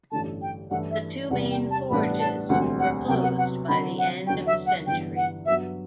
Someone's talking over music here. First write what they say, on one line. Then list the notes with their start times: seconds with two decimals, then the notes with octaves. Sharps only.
The two main forges were closed by the end of the century.
0.12 A1 G2 D3 A3 A5
0.42 G5
0.71 G2 E3 A3 E4 A4 F#5
0.91 E5
1.31 E2 C3 G3 F#5
1.51 G5
1.71 A5
1.90 A1 A2 G3 B3 D4 B5
2.19 A5
2.49 E1 D2 D3 G3 C4 F#5
2.79 F#5
3.08 C3 F#3 B3 F#4 G5
3.23 F#5
3.38 F#5
3.68 D3 F#3 C4 B5
3.98 F#5
4.27 E2 D3 F#3 B3 F#4 G5
4.47 E5
4.66 F#5
4.87 G1 G2 E3 B3 G5
5.16 F#5
5.46 G2 F#3 B3 F#4 E5